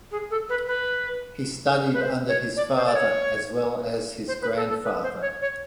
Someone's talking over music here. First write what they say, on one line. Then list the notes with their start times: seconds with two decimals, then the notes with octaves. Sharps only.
He studied under his father as well as his grandfather.
0.11 G#4
0.30 A4
0.49 B4
0.67 B4
1.93 B4
2.01 C5
2.28 C#5
2.56 D5
2.76 C5
2.86 D5
2.95 C#5
4.27 C5
4.41 B4
4.55 A4
4.69 A4
4.83 B4
5.02 C5
5.21 C#5
5.41 C#5